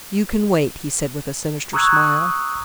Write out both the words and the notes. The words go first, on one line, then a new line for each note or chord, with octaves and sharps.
"You can wait," he said with a sinister smile.
A#5 C#6 D#6 E6 F#6 G#6